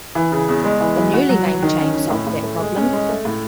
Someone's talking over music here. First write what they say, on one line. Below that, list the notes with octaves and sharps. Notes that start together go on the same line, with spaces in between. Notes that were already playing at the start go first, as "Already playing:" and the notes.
The newly named chain solved that problem.
E3
C#3
E2
G#3
E3
E3
F#4
F#3
F#3
D#3
C#4
C#4
A2
A2
A3
G#3
C#4
G#3
A3
A2